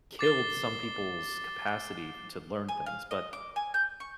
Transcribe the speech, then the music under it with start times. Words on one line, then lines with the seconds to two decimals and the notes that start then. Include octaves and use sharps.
killed some people's capacity f to learn things, but
0.19 D6 A6 C7 G7
2.69 G#5
2.86 F5
3.11 D#5
3.33 D6
3.56 G#5
3.74 G6
4.00 C#6